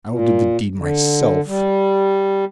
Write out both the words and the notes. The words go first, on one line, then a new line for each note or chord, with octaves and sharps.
"I'll do the deed myself."
A#2
D3
G3